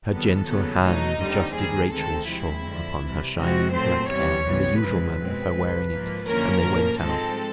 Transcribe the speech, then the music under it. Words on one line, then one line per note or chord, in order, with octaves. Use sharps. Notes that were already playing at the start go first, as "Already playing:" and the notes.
Her gentle hand adjusted Rachael’s shawl upon her shining black hair in the usual manner of her wearing it, and they went out.
C#2 C3 D#3 G3 B3 A4
D#2 C#3 F#3 B3
B2 F#3 A3 D#4
D#2 D3 G3 C4
D#2 D#3 G3 G#4
D2 C3 D#3 G#3 C4 A4
C3 F3 G#3 C4 E4
F2 D3 F3
C2 C3 E3 G3
C3 F3 G#3 C4 F#4
A#2 F#3 A3 C4 C5
E2 C3 E3 G3 C#5
C2 C3 E3 G3 B3
F#2 C#3 F3 G#3 C4 B4
B2 G#3 C4
C2 C3 F3
G#2 F3 A#3
F#2 D3 F3 A#3 C#4 A#4
A2 F3 A#3
G#2 F3 G#3 C4 A4